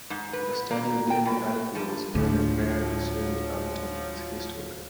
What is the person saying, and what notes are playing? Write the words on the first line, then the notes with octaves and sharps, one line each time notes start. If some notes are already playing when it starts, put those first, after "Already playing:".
The Stadio delle Alpi was very rarely sold out in its history.
G#2
B4
A#3
G5
B2
F3
D2 A2 F3 F#3 G#3 D4